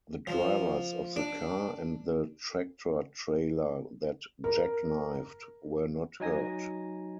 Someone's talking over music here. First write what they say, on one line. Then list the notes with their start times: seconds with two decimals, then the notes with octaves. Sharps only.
The drivers of the car and the tractor-trailer that jackknifed were not hurt.
0.27 F3
1.16 D4
4.44 A#4
6.20 F#3 D#4 G#5 A#6